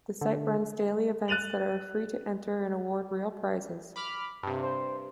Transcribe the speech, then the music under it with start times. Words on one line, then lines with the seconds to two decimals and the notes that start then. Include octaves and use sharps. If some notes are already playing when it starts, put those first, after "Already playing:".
The site runs daily events that are free to enter and award real prizes.
0.21 D3
1.28 F#6 A6 D#7 F7 F#7
3.96 B5 D6 F6
4.43 G2 C3
4.62 C5